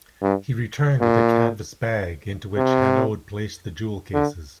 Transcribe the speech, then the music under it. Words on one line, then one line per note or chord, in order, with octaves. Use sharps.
He returned with a canvas bag, into which Hanaud placed the jewel-cases.
G2
A#2
C3
D3